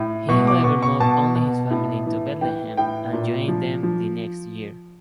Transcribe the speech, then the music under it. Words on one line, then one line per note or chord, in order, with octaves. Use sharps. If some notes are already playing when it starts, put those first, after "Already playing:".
He however moved only his family to Bethlehem and joined them the next year.
Already playing: A2
B2 C#6
D6
B2 C#6
C#6
B2 A5
B2
A2
E3
E3 G5
A2 G5
A#2
F3
F3